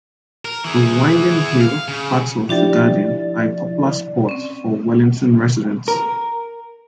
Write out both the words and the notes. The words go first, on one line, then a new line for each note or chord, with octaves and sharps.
The winding hill paths of the Garden are a popular spot for Wellington residents.
A#4
E3 G#4
F5
C#3
F3 D4 E4 G4 D5 G5 A6
C4 C#4
A#4